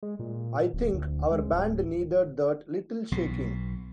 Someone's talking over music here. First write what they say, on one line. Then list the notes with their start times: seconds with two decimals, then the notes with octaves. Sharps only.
I think our band needed that little shaking.
0.03 G#3
0.19 A#2
0.74 D1
0.94 D2
1.32 G#3
1.53 D1
3.12 B1 B2